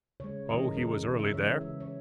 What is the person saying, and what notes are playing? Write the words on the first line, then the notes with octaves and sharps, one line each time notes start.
Oh, he was early there!
C#3 G#3 C#5
C#3 E3 G#3 D#5
A#4
C#3 E3 G#3 A#4
C#3 E3 G#3
E5
C#3 E3 G#3 C#5
E5
C#3 G#3 E5
C#5